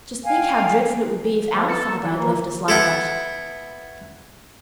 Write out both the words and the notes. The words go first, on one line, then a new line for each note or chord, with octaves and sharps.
"Just think how dreadful it would be if OUR father had left us like that!"
F5 G5 G#5
F3 B3
A4
A#3
E3 E4
A#3
B3 E4 A4